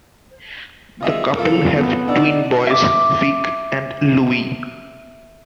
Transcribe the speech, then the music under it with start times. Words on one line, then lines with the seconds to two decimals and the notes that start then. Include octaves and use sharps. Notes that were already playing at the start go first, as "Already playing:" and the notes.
The couple have twin boys, Vic and Louie.
1.01 G3 B3 F4 G#4 D#5 E5
1.35 C3 F#3 F4 A4 A#4
1.71 B3
2.08 D4 D#4 D5 F#5 E6
2.67 E5 D6